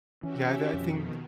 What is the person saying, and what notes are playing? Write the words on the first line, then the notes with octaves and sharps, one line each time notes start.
yeah, th I I think
E3 C#4 F#4 G4 E5
F2 B2 D#3